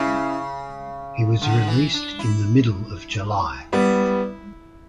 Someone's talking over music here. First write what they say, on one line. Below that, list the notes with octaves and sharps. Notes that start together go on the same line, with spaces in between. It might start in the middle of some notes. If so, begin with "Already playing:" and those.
He was released in the middle of July.
Already playing: C#3 C#4 E4
D3
E3
D4
E4
G3 B3 E4